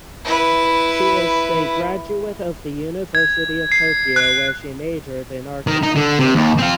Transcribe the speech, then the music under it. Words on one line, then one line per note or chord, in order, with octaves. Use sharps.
She is a graduate of the University of Tokyo where she majored in architecture.
E4 B4
G#6
C7
F#6
D#3
D#4
D3
C3
D#2
C4 F4